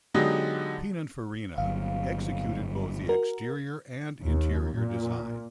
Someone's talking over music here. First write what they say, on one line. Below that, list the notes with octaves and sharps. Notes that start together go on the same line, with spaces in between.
Pininfarina executed both the exterior and interior design.
D3 F#3 G#3 B3 D#4 G4
G1 F#3 F5
F#4 A#4
D#2
A#2